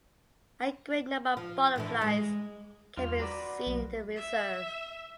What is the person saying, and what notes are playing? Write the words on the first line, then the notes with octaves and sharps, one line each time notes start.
A great number of butterflies can be seen in the reserve.
F3
A2 D3 E3
G#3
E2 G2 F4
F#4 B4 D5 A#5 C6
B1 F#3 A#3
E5